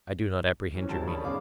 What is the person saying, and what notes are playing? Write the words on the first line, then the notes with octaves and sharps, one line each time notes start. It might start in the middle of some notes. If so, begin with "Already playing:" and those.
I do not apprehend your meaning.
E3 F#3 C#4
G#1 D#2 D3 G#3 A5
C#5 D5 B5 C#6 D#6
B1 C#4 G#4 F5 D6